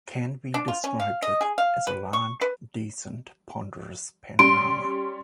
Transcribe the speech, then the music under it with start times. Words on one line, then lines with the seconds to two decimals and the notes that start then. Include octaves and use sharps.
Canby described it as "a large, decent, ponderous panorama".
0.54 D4
0.68 F4
0.84 C#4
1.00 F5
1.22 D#5
1.41 G#4
1.58 F5
1.87 B4
2.13 C#6
2.41 B4
4.39 G3 C#4 C6 D7